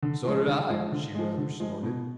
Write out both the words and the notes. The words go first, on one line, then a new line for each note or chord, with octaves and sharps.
"So did I!" She rather snorted.
D3
F3 G#3
D3
F3 G#3
D3
F3 G#3
D3
F3 G#3
B2